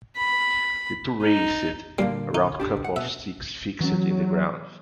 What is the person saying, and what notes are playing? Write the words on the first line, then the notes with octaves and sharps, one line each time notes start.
The two raced around couple of sticks fixed in the ground.
B5
D#4
A#2 D3 G3 A#3
D#4
D3 D4 G4
F#5
B2 B3 E5
E3 F#3 C#4